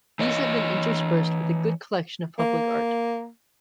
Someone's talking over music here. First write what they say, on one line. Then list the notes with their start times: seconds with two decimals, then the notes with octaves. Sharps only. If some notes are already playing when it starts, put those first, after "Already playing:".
These have been interspersed with a good collection of public art.
0.19 E3 C#5 D#5
2.39 A#3